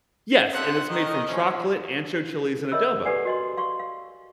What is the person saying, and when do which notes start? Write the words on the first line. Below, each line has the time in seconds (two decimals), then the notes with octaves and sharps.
Yes, and it's made from chocolate, ancho chilies, and adobo,
0.52 C#2 F3 C5 E5 F#5
0.89 D#3 D#5
1.27 D2 A2 F3 C#4
2.72 A#4 C#5 D#5 E5 B5 E6
3.05 G4 A4 B4 D5 F#5 G#5
3.25 F#4 D#5 C6
3.57 F5 C6 C#6
3.79 F5